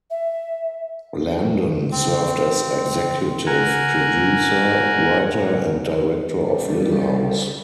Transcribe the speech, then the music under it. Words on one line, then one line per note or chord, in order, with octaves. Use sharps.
Landon served as executive producer, writer, and director of Little House.
E5
C4
A#4 F#5 G#5
C#3 G3